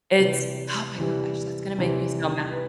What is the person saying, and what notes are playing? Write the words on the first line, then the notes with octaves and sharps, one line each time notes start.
It's oh my gosh, that's gonna make me so mad.
C3 E3 G3 B4
C3 E3 G3
C3 E3 G3
B4